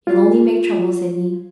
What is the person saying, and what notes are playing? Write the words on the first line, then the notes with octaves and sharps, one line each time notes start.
You'll only make trouble, Sidney.'
F4